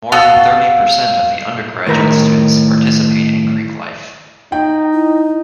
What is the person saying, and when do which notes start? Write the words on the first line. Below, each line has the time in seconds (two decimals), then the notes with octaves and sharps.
More than thirty percent of the undergraduate students participate in Greek Life.
0.12 B3 F#4 A4 F5
1.87 A2 D#3 A#4 B5
4.52 D#4 G5
4.93 E4